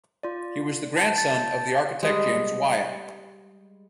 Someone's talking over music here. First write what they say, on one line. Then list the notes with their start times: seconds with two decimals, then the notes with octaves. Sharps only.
He was the grandson of the architect James Wyatt.
0.23 F4 D5
0.96 A5 G6
1.18 A6
2.03 G3 G#3